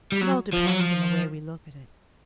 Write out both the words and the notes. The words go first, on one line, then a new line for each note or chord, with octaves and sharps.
It all depends on the way we look at it.
G3
F#3
F3
F#3
F3